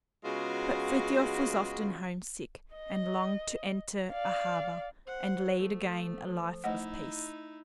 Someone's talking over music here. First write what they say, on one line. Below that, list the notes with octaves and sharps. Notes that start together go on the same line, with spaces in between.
But Frithiof was often homesick, and longed to enter a harbor, and lead again a life of peace.
C#3 G#3 B3 F4 F#4
D#5
D5 F5
C5 F#5
F3 A3
A3 D#4 E4 D#5 F#5